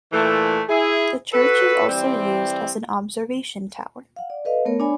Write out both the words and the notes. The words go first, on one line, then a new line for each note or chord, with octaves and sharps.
The church is also used as an observation tower.
A#2 E3 A3
E4 G#4
F#4 A4 B4
E3 G3 C4
F5 F#5
D5
A4 B4 D#5 F5
A3 B3 A#4 C#5
D4 C#5 D5 G#5 B5